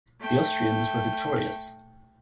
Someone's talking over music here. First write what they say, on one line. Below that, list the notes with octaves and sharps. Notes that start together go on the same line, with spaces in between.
The Austrians were victorious.
A3 G5